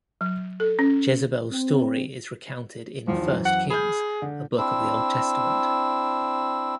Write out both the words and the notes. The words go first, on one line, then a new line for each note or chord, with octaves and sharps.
Jezebel's story is recounted in I Kings, a book of the Old Testament.
F#3
A4
C#4
C4
B1 E2 D#3 F3
F#2 E3 C5
F#5
G#4 B5 F6 G6
D3
C4 D4 E4 E6